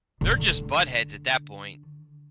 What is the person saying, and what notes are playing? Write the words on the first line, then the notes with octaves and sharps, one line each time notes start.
they're just buttheads at that point.
D3 D4